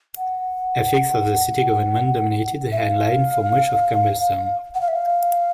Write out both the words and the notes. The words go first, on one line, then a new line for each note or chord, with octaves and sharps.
Ethics of the city government dominated the headlines for much of Campbell's term.
F#5
E5
F5
F#5
F5
E5
F5